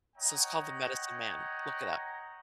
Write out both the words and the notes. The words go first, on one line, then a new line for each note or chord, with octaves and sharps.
So it's called The Medicine Man- look it up.
C#5 D#5 F#5 G5 A#5